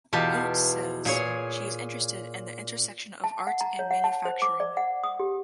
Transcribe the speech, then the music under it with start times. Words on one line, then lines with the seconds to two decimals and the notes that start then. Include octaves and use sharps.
Oates says she is interested in the intersection of art and manufacturing.
0.13 E2 B2 F4 G4 A5
1.05 A#2 G#4 C#5
3.24 A5
3.47 F#5
3.61 A#5
3.79 C#5
3.91 F#5
4.04 A5
4.25 C5
4.42 D6
4.60 D5
4.77 F#5
5.04 D#6
5.20 G4